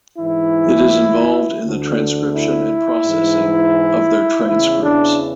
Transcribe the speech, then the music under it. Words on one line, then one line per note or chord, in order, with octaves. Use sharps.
It is involved in the transcription and processing of their transcripts.
G#2 E3 E4
D2 D3
E4
G#2 E3
E2 C#3 E3 E4
D4